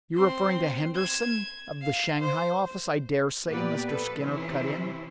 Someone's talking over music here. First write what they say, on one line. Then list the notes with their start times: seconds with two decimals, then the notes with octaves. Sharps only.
"You're referring to Henderson, of the Shanghai office, I dare say," Mr. Skinner cut in.
0.15 C4 C6
0.94 G#6 E7
1.82 F5
2.20 C5
3.48 A#2 B3 G4 B4 D5
3.88 F3 B3 A4 B4
4.18 C3 E3 C#4 E4 C5